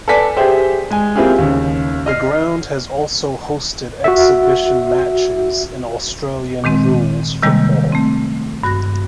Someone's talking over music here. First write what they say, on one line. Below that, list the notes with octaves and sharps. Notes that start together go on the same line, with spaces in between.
The ground has also hosted exhibition matches in Australian rules football.
A4 B4 D5 G#5 B6
G4 G#4 C5 E5 G5
G#3 G#5
A#3 C4 E4 F4 G4 G#4
D#2 C#3
D#5 F6 C7
F#4 E5
A#2 D#3 G#3 C4
C3 D#3 G3 G#3 A#3
A3 C4
G2 F#4 F#6 A#6